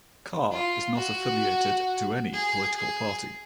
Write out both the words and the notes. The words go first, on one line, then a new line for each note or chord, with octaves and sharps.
Khair is not affiliated to any political party.
F4
F#4
G#4
G#4